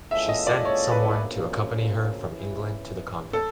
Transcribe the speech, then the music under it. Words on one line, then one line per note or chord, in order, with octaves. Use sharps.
She sent someone to accompany her from England to the convent.
E3 G#3 C#4 F4 A4 E5
D#5
D5
C#5
B4
D2 C#3 F3 A#3
E2 C#3 E3
A4